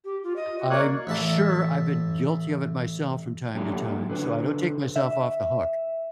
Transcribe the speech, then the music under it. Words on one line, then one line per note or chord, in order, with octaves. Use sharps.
I'm sure I've been guilty of it myself from time to time, so I don't take myself off the hook.
G4
F4
D#5
F#4
A#3 C#5 D5 F#6
A1 E5 A5
F#3 A3 A#3 D4 F#4 G4
D3 B4 C5
E5